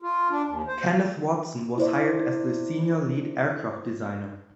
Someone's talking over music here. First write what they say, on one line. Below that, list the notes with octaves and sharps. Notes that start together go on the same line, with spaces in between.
Kenneth Watson was hired as the senior lead aircraft designer.
F4
D4
D#2
C5
E4 C5 D5